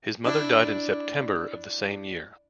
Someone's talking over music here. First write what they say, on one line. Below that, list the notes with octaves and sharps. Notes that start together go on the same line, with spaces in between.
His mother died in September of the same year.
D4 E4